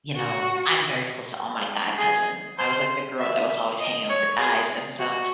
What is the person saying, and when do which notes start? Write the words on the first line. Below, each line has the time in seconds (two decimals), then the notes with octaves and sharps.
you know, I'm very close to all my guy cousins. I was like the girl that was always hanging with the guys, and so,
0.16 F#4
1.98 G#4
2.58 C5
3.18 E5
3.79 D#5
4.09 C#5
4.39 G#4
4.99 F#4